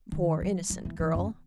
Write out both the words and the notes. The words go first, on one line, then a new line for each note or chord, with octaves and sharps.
Poor innocent girl.
D#3
F#3
F#3
E3
E3
F#2